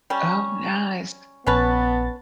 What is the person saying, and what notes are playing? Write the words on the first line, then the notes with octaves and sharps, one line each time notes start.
Oh, nice.
G3 C#4
A#1 B3 C#4 B4 A5 A6